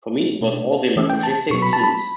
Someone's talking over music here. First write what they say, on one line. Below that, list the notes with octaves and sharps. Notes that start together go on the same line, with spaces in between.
For me, it was all the masochistic scenes.
B2 A3 D4
E3 A3 C#4
G5
A5
B2 F#3 B3 C#6
B5
A5
B5